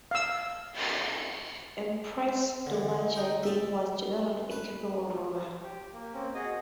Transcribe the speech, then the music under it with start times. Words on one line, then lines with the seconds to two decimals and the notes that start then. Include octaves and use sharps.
Empress Dowager Deng was generally a capable ruler.
0.11 F5 E6
2.66 D3 E3
3.14 D#4 G5 D#6
3.43 D5 E5
4.51 B4
5.63 G4
5.93 A#3
6.13 A#3 C4 C#4
6.34 F#4 G#4 D#5 G#5